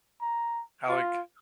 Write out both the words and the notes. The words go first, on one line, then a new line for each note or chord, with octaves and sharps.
I like
A#5
F4